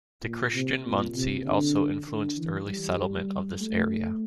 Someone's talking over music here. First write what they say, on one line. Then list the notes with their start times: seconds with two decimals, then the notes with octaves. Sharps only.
The Christian Munsee also influenced early settlement of this area.
0.23 A#2
0.54 C3
0.84 A#2
1.15 C3
1.46 D3
2.07 D3
2.37 E3
2.69 G3
3.61 A3